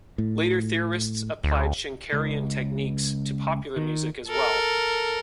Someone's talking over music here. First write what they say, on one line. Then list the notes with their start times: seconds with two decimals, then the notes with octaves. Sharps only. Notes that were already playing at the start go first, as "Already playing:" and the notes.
Later theorists applied Schenkerian techniques to popular music as well.
0.18 A2
1.44 D2
2.13 C#2
3.76 D#3
4.28 A4 A#4